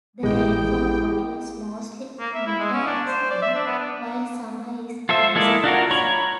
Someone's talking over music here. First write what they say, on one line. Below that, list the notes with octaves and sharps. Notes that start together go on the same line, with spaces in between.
The rainfall occurs mostly in winter and spring, while summer is driest season.
A1 G#3 E4 G4 G#4 G5
A#3
E5
E4
G#3
C#4
D4
C5
D5
E5
D4
B3
D4
F4 A4 C5 E5
G#3 A#3 E4 A4 D5
D4 F4 F#4 A#4
C#5 A#5 B5 C#6